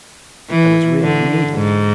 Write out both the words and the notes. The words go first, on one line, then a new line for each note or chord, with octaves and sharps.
I was really needed.
E3
D3
G#2